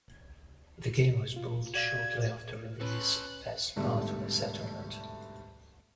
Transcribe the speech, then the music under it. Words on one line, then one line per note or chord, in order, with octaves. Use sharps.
The game was pulled shortly after release as part of the settlement.
F4
F#4 D5 F5 G#6
C#4 A4 B4 C5 F#6
G#2 B2 D3 G3 A3